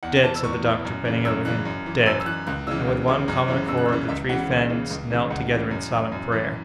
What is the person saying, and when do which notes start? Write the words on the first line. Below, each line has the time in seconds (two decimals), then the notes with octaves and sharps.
"Dead!" said the doctor, bending over him, "dead!" And with one common accord, the three friends knelt together in silent prayer.
0.03 E2 F#5
0.24 E3 A5
0.36 E6
0.43 E2 C#6
0.64 E3
0.85 F#2
1.05 C#3 E3
1.25 F#2 E6
1.45 C#3 E3 F#6
1.65 F#2
1.86 E3
2.06 F#2 E6
2.20 E6
2.26 E3 F#6
2.47 C#2 F#6
2.67 C#3 E3 E6
2.87 C#2
3.08 C#3 E3
3.28 F#2
3.48 C#3 E3
3.68 F#2 E6
3.77 F#6
3.85 E6
3.88 C#3 E3
4.08 C#2 E5
4.29 C#3 E3 F#5
4.49 C#2
4.70 C#3 E3
4.90 C#2
5.10 C#3 E3
5.30 C#2 F#5
5.51 C#3 E3
5.71 F#2
5.92 E3
6.12 F#2
6.32 E3